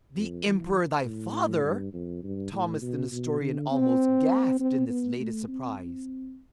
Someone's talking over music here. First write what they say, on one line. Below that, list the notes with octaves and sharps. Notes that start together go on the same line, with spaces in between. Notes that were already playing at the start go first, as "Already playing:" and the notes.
"The emperor thy father!" Thomas the Nestorian almost gasped in this latest surprise.
F2
E3
A2
G2
F2
G2
A2
B2
B2
D3
C4
C4
B3
A3
C4
C4